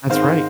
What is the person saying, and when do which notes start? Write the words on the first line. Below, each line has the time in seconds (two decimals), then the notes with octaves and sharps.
That's right.
0.10 G#2 D#3 G#3 C4 C5 F5